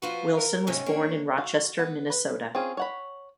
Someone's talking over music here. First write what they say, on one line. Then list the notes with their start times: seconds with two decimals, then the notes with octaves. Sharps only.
Wilson was born in Rochester, Minnesota.
0.02 F3 F4 F#4 B4
0.37 A#4
0.67 G#2 C3 D#3 C#4
0.86 A#3 D4 C#5
1.38 F#4 F5
1.79 B3
2.10 B4
2.55 C4 C#4 F4 G#4
2.77 C#5 F#5 B5